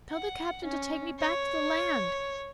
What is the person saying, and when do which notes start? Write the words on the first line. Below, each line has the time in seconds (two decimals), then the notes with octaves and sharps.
Tell the captain to take me back to the land.
0.11 F#5
0.65 C#4
1.19 C#5